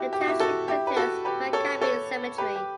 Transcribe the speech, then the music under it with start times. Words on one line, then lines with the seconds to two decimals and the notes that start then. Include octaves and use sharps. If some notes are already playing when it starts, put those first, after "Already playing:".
The township contains MacCabee Cemetery.
Already playing: E4 F#4 G4
0.13 G4
0.21 F#4
0.28 E4 G4
0.40 F#4 A4
0.68 E4 G4
0.87 B4
0.97 F#4 A4
1.25 G4 B4
1.53 A4 C#5
1.82 A4 C#5
2.38 G4 B4
2.56 G4